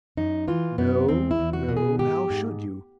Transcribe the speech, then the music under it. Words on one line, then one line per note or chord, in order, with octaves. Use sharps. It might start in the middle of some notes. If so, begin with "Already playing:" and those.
No, no; how should you?
F#2 D#4
E3 F4
F#2 B3
E2 C4
E4
E2
F#4
B2
G#4
G#2 G4
G#2